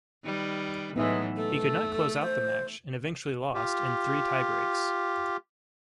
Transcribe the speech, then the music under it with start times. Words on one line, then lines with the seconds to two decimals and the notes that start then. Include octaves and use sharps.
He could not close out the match and eventually lost in three tiebreaks.
0.24 D#3 G3 B4
0.96 A2 E3 F#3 G#3 B3 D#4 E5
1.36 A3 A4
2.22 C5
3.54 F4 G4